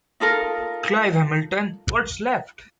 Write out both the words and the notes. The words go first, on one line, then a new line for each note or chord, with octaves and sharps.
Clive Hamilton - What's Left?
D#4 F4 A4 A#4